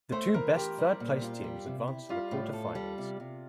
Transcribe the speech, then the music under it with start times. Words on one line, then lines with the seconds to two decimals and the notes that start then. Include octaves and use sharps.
The two best third-placed teams advanced to the quarter-finals.
0.12 A3 C5
0.34 E3 A#4
0.56 E3 G4
0.78 G3
1.00 A#2
1.22 F4
1.44 G3
1.66 C3
1.88 E4
2.09 G3 F4
2.31 A2
2.53 A4
2.75 G3
2.98 C3
3.20 C3